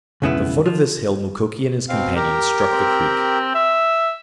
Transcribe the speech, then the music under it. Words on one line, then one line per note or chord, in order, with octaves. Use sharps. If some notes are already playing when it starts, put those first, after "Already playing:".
At the foot of this hill Mukoki and his companion struck the creek.
B1 F2 C#3 G#3 B3 E4
F3
B2 C4 F5
G4 A#4
C4
E5